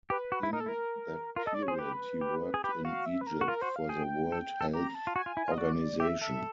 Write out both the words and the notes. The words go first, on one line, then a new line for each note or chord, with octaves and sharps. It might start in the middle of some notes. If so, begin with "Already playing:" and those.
In that period he worked in Egypt for the World Health Organization.
G4 B4
F#4
E4
D#4 A#4
A4
E4 A#4
F4 A#4
A4 D#5
D5
C#5
G#4 C5
G4 B4
G4
G#4
G4 B4
F#4 F5
E5
B4
A#4
F#4
F4 A#4
F#4 C5
F5
G#4 G5
A4
A4
G4 A#5
A5
F4
F#4 G#5
F4
E4
F4
D#5
F#4 D5
G4 E5
A4 E5